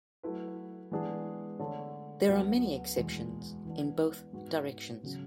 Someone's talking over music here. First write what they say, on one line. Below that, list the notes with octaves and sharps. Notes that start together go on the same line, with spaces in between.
There are many exceptions in both directions.
F#3 A3 E4 B4
E3 G#3 B3 D4 G#4
D3 A3 D4 A4 C#5
D2 D3 F#3 B3
E2 B2 G#3
E3 B3 D4
G#2 G#3 B3 F#4
C#3 F#3 C#4